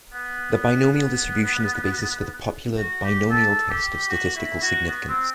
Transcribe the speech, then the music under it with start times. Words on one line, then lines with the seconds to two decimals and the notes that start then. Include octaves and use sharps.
The binomial distribution is the basis for the popular binomial test of statistical significance.
0.13 B3
0.52 B3
0.92 B3
2.77 F#4
3.03 G4
3.30 A4
3.70 G4
4.09 F#4
4.36 E4
4.62 F#4
4.89 B3
5.08 C4